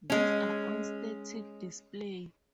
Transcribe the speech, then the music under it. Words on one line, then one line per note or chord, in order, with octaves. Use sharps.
These are on static display.
G#3 C#4